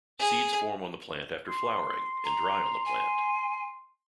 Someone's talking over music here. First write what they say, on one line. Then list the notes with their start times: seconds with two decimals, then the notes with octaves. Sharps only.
Seeds form on the plant after flowering and dry on the plant.
0.20 G#4
1.48 C6
2.25 A#5
2.85 G#5